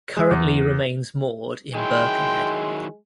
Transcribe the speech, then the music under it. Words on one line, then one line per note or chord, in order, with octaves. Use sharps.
Currently remains moored in Birkenhead.
G#3
E2
D#3 F#3 G#3 E4 G5 C6